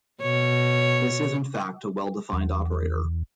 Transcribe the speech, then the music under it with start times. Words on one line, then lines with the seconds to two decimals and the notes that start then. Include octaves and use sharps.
This is in fact a well-defined operator.
0.22 B2 C#5
2.33 E2